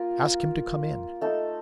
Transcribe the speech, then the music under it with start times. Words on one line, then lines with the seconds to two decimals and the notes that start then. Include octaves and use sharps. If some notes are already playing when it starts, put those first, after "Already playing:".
Ask him to come in.'
Already playing: A#3 F4 A#4
1.21 A3 D#4 A4